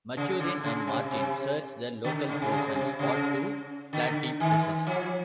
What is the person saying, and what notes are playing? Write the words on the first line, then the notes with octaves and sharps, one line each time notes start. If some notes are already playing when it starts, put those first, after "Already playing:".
Maturin and Martin search the local pools and spot two platypuses.
C#3
D3
C#3
C3
C3
D3
C#3
C3
C#3
C3
C#3
D3
D#3
F3